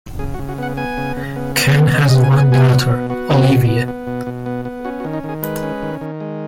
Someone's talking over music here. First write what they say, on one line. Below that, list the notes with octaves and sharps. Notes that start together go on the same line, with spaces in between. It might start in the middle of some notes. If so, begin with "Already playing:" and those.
Ken has one daughter, Olivia.
C#3 G#4
F#4
C#3
F#4
B3 F#5
B3 G#5
C#3
C#3
B3
B3
C#3
C#3 D#5
D#5
B3
G#5
B3
G#5
B2 G#5
B2
F#4
B3
B3 F#4
B2
B2
B3
B3
B2
B2
B3
B3
C#4 F#4
F#4
D#3
D#4
D#3
G#4
G#3 B4
C#4
D#3
D#3
G#3